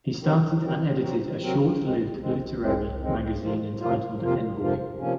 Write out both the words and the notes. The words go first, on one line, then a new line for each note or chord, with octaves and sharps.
He started and edited a short-lived literary magazine entitled "Envoy".
C3 F#3 C4 F#4 A#4
C3 F#3 C4 F#4 A#4
C3 F#3 C4 F#4 A#4
C3 F#3 C4 F#4 A#4
F2 D#3 G#3 C4
F2 D#3 G#3 C4
F2 D#3 G#3 C4
F2 D#3 G#3 C4
F2 C3 F3 A#3 F4
F2 C3 F3 A#3 F4
F2 C3 F3 A#3 F4
F2 C3 F3 A#3 F4
C3 F3 A#3 C#4